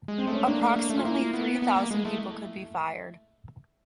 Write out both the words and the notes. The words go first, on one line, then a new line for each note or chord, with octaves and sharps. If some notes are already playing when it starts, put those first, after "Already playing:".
Approximately three thousand people could be fired.
G#3
C4
A3 C#4
A#3 D4
A3
A#3
A3
F4
A#3 E4
B3
B3
A#3
G#3
A3